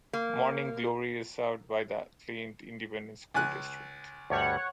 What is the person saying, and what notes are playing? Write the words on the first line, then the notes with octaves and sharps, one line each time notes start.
Morning Glory is served by the Clint Independent School District.
A#3
C#2 G#5 F#6
D2 G2 G3 C#5 F#5